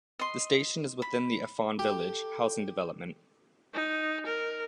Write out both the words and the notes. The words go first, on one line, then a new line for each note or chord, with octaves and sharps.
The station is within the "Afon Village" housing development.
D#5 C6
B5
G4 A4
D#4
A#4